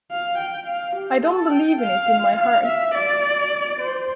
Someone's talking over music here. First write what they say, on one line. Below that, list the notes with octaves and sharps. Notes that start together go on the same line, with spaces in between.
I don't believe in it in my heart.
F5
G5
F5
G4
A4
G5
F5
F5
E5
D5
C5